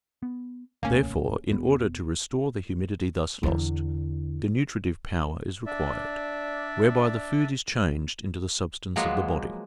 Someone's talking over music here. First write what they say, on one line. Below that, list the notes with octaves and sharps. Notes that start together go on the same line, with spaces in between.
Therefore, in order to restore the humidity thus lost, the nutritive power is required, whereby the food is changed into the substance of the body.
B3
D#1 C#2 A3 A#3 C#4
E1 B3
E2 D3
D4 D5 E5
F3 F#3 G#3 A#3 B3